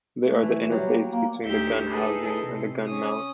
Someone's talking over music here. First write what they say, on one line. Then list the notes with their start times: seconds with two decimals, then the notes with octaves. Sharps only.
They are the interface between the gun housing and the gun mount.
0.24 A3
0.43 E3
0.71 F#3 G3
0.86 A#3
1.11 A#3
1.43 D2 D#4 G4 C5 E5 G6
1.90 D#4 E4 G#4 A4 B4
2.40 C3
2.85 C#4 D#6